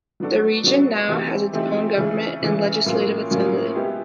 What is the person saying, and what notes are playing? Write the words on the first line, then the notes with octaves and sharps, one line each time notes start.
The region now has its own government and legislative assembly.
F#3 B3 D4 F#4 A4
F#3 B3 D4 F#4 A4
E3 A3 C4 D#4 G4
E3 A3 C4 D#4 G4
C#3 E3 A3
C#3 E3 A3
A2 F#3 A#3 C#4 F4
A2 F#3 A#3 C#4 F4
G#3 B3 E4 G4